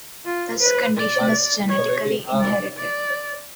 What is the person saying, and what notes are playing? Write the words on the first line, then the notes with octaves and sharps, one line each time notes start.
This condition is genetically inherited.
F4
B4
D5
C#5
D5
D5